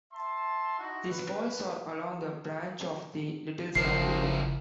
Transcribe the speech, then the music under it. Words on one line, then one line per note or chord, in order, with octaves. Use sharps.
These falls are along a branch of the Little Zab River.
E5 A5 C6
D#4 E4 F#4
B4
G1 C#3 F3 E4 A#4 C7